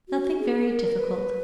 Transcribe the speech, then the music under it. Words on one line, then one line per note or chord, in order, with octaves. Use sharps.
"Nothing very difficult."
F#4
G#4
A#4
B4